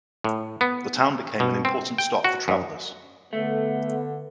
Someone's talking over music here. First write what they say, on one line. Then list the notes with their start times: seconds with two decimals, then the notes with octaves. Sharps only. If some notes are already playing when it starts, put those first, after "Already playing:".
The town became an important stop for travellers.
0.24 A2
0.61 B3
1.40 B2
1.65 C4
1.98 G5
2.24 F#4
2.48 F#2
3.33 D3 A3 B3